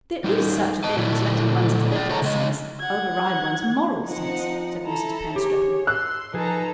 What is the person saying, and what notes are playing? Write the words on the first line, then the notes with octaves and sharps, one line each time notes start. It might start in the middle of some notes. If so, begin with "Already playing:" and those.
"There is such a thing as letting one's aesthetic sense override one's moral sense," said Mrs. Panstreppon.
G3 D#4
D#5 A5
A#2 D3 F#3 A3 D4 E4
G#4 D5
A4 C#5 D#5 F#5 A5 A#5
C#3 G#3 D#5
F#5 G#6
F3 C4 D#4 F#5
E4 A4 A#5
G4 G#4 C#5
C6 E6 F#6
F3 D#4 G#4 A4 B4 A#5